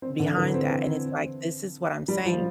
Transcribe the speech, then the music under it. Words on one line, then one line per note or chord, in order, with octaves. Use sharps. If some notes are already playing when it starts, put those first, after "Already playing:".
behind that. And it's like, this is what I'm saying.
C4
D3
E3
C4
G3
F3